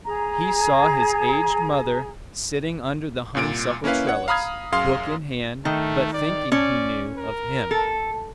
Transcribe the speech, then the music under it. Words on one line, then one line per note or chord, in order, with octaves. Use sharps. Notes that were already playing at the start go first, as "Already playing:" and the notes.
He saw his aged mother sitting under the honeysuckle trellis, book in hand, but thinking, he knew, of him.
G#4 A#5
C2 A#2 D7
A#3 C#4 E4 B4 F5
C#5 F#5
F5 A#5 B5 D#6 F6 G#6
F#2 G#4 F5 C6 D#6
D#3 A3
D5
C#4 D5
A#4
A4